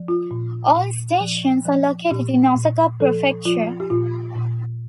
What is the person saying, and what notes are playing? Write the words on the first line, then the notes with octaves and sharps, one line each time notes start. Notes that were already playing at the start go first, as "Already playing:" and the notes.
All stations are located in Osaka Prefecture.
Already playing: F3
F4
A#2
A#2
F3
F3
A#2 G4
A#2
F3 A4
F3 F4
G4
A#2 F4
A#2